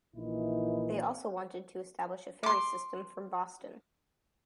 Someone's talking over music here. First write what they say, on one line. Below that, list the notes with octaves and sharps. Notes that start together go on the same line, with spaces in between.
They also wanted to establish a ferry system from Boston.
A#1 A#2 E3 D#4 E4
C6 D6